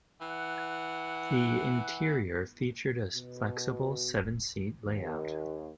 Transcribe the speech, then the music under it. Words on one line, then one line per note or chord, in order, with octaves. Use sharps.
The interior featured a flexible seven-seat layout.
E3 F#5
B2
D#2